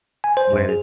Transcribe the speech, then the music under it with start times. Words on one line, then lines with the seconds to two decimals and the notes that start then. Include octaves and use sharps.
let it
0.24 G#5
0.37 C5
0.53 F#2
0.69 G#4